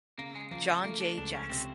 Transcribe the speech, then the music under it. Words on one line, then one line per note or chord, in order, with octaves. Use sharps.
John Jay Jackson.
C#3 A#3
G#3
F3 A#3
A3
A3 A#3
D4
C#2 D4
C#4
C3 C4